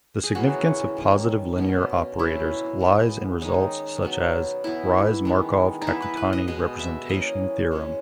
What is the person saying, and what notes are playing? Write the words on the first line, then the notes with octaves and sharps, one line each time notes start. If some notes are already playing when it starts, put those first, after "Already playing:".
The significance of positive linear operators lies in results such as Riesz–Markov–Kakutani representation theorem.
G#4
C#3 E3 A#3 F#4
D#3 A#3 C#4
B2 A#3 C#4
B2 A#3 C#4 E4
E3 G#3 B3
D#3 G#3 C#4 D#4
B2 F#3 B3
E3 B3 E4
D#3 G#3 B3
D#4
E3 B3 E4
B4
B4
D#5
B2 G#3 B3 D#5
E5
E3 A#3 C#4 D#5
B2 G#3 C#4